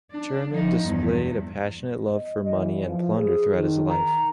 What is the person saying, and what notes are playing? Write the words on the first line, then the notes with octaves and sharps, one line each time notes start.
Churaman displayed a passionate love for money and plunder throughout his life.
D4
F3 D#4
E2 G2
D#5
E2
F3
G#4
D#3
A#5